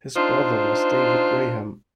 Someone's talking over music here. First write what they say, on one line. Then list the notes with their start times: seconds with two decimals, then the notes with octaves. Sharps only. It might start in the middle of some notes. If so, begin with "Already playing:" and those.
His brother was David Graham.
0.17 D4 D#4 F4 C5